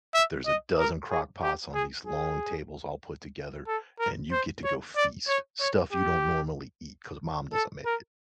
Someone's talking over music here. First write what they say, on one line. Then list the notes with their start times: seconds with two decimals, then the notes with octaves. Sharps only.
There's a dozen crock pots on these long tables all put together, and you get to go feast, stuff you don't normally eat 'cause mom doesn't make it.
0.14 E5
0.46 D#5
0.78 A#4
1.10 G#4
1.42 G4
1.74 G#4
2.07 G#4
3.67 A4
3.99 A#4
4.32 C5
4.64 C#5
4.96 D5
5.28 C#5
5.60 C#5
5.92 G4
7.53 A4
7.86 A#4